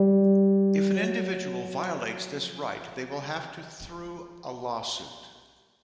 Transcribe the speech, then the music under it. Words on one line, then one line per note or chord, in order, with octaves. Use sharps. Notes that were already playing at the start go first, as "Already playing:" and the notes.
If an individual violates this right they will have to through a lawsuit.
Already playing: G3
F#3
F3
G3
F#3
F3
F#3
G#3
G3
F#3
G#3
G3